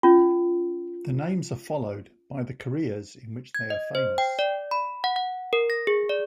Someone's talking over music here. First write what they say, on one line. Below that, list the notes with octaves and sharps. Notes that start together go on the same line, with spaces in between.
The names are followed by the careers in which they are famous.
C#4 F4
G#6
D#5
C5
G5
D5
B5
F#5
F#5
A#4
A#6
G#4
D5